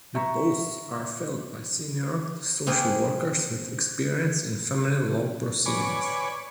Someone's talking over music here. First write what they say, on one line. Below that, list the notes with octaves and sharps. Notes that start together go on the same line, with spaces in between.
The posts are filled by senior social workers with experience in family law proceedings.
E5 A#5 C#6
A#3 C4 F4 G#4 C5
B4 C#5 D5 G#5